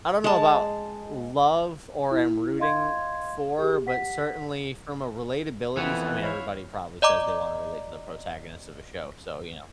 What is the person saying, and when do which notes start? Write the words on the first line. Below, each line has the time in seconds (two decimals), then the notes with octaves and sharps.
I don't know about love or am rooting for, but certainly from a relatability s I mean, everybody probably says they wanna relate to the protagonist of a show, so, you know,
0.24 G#3 A5
2.11 E4
2.59 D#5 F5 C6 G#6
3.58 G4 G#4
3.87 F#5 B6
5.77 F2 E3 B3
6.23 E4 C#5 F5
7.02 D5 D#5 A#5 D6